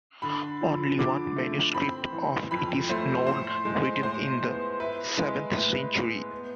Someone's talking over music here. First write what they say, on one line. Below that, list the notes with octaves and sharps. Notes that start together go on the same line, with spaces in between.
Only one manuscript of it is known, written in the seventh century.
D3 B5
F3
D3 D6
A3
C4 B5
E3
F2 B5
A3 C5
A2 C5
G#3
A2 C5
B3
E4 B4
G#3
A2 B4
B3
B3